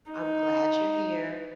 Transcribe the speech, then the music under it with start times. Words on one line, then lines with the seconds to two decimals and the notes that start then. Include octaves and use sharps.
I'm glad you're here.
0.11 D#4